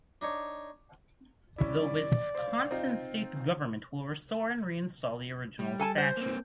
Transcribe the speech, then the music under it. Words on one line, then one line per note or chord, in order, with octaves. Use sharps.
The Wisconsin state government will restore and reinstall the original statue.
D4 D#4 C#5
G3 C#4 E4 D5
C5 F5
C4 D#4 F4
G3
A4 G#5 A5
C5
A#3 C4